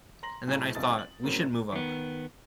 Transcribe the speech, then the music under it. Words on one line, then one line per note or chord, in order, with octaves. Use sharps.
And then I thought, 'We should move up.
A#5 C6 A#6 F#7
B1 A2 G#4 A#5
G1 C2 D#4 D#6 A6
A6 F#7
A2 C#3 F#3 A#3 C4
D#3 B3